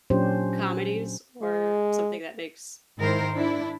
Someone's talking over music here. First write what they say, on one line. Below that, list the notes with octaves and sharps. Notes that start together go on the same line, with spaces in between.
comedies, or something that makes
A#2 F#3 C#4 D4 G4 C5
G#3
G#2 D#3 E4 A#4 C5
D4 E4